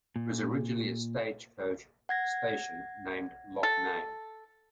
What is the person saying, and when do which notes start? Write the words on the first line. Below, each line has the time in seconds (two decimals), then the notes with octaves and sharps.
It was originally a stagecoach station named Locknane.
0.16 A#2
2.09 F#5 G#6 A#6
3.63 A4